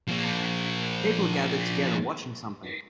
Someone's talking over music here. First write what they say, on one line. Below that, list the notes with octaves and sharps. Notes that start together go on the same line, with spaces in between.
People are gathered together watching something.
F3 A#3